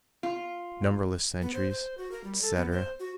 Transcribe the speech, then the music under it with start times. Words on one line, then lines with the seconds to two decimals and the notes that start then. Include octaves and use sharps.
"Numberless centuries," etc.
0.23 F4
1.42 B3
1.54 C5
1.70 C5
1.98 F#4
2.11 A#4
2.24 G3
2.41 A4
2.56 B3
2.71 C5
3.00 F#4